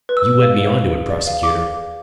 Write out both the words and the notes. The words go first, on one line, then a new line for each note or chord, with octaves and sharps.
You led me on to it, prosecutor?
B4
E6
B4
F5
F5
B4
G#4
D5
F5
G#4 D6